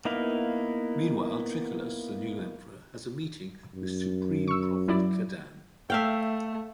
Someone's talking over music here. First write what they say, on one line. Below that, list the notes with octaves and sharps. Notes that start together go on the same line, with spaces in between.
Meanwhile, Trioculus, the new Emperor has a meeting with Supreme Prophet Kadann.
A#3 B3 D#4 E4 F5
F#2
C#6 E6
F#3 E4 D5
A3 E5 F5 G5